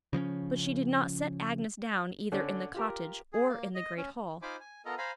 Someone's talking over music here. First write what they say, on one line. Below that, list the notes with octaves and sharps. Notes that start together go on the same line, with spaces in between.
But she did not set Agnes down either in the cottage or in the great hall.
C#3 F3 C4 C#4
D3 C#4 D4
F4 G4 A#4
G#4
A#3
D#5
C#4
D#4 F4 C5 G#5 B5 D6
G#5
B3 F4 A4 A#4 D#5 A#5
C5 F5 G#5 A#5 B5